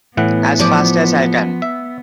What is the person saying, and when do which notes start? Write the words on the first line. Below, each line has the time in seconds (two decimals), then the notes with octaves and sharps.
As fast as I can!
0.17 A2 E3 B3 F#5
0.59 F3 D5
1.62 E5